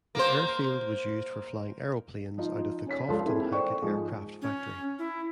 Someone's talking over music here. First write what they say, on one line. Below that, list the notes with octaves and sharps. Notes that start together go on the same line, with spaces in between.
The airfield was used for flying aeroplanes out of the Cofton Hackett aircraft factory.
A#3 C5
F3 D#4 F4
C#4 C#5 B6
C#2 G2 F3 A4 A5 C6
A#3 C4 E4 G#4 A4
C5 D5 G5 C#6
G#2 F3 G#3
C#4
E4